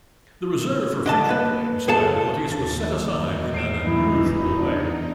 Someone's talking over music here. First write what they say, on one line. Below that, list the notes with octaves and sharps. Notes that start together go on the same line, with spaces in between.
The reserve for future claims liabilities was set aside in an unusual way.
D3 D#5 A5
A#3 B4
C#2 G#4 A4 F5 A5
D#2 A6
E2 D#4
C7 D7 E7
E3 E4
D4